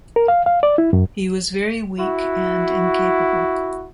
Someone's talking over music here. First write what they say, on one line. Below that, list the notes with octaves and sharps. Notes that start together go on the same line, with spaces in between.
He was very weak and incapable.
A#4
F5
F5
D5
E4
F#2
E4 F#4